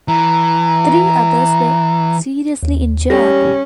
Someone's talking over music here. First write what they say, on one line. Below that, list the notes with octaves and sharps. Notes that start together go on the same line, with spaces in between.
Three others were seriously injured.
E3 A#5
D#2
G3 C#4 A#6